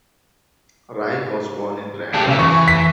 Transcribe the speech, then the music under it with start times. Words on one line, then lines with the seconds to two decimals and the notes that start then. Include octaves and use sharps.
Rye was born in Randers.
2.14 A3 D4 G4
2.27 C#3 E5
2.39 E3 C#6
2.68 B6